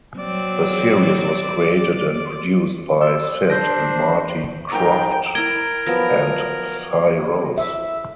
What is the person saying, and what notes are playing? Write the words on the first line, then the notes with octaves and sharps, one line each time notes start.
The series was created and produced by Sid and Marty Krofft and Si Rose.
F#3 C4 D5
D5 C6 E6
D4 C5 G6 A#6
G#2 A#4 G5 A#5
E4 A#4 A#5 G#6 D7 G7
F3 F#3 B3 A#6
E5